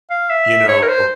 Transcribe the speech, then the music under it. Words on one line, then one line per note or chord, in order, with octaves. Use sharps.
you know?
F5
E5
C#5
A#4
C5